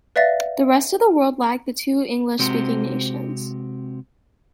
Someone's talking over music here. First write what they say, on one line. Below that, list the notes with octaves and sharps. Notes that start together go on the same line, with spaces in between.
The rest of the world lagged the two English speaking nations.
B4 D5 E5 F5 A6 A#6
C3 G#3 C4 F#4 G4 C5